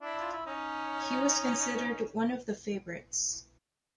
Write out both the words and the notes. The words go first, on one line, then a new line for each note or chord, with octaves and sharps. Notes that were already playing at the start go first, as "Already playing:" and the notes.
He was considered one of the favourites.
D4 E4
F4
E4
C#4 D#4